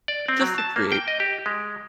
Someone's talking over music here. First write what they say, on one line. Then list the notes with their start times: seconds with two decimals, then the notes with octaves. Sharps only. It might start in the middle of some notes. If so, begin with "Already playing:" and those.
Just to create.
0.08 D5
0.28 C4
0.41 F#3
0.58 A5
0.76 A#3
0.92 G5
1.08 D#5
1.20 G4
1.46 G#3